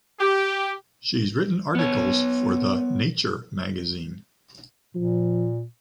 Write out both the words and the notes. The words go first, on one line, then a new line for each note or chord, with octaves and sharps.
She’s written articles for the “Nature” magazine.
G4
B3 C#5
A#2 F3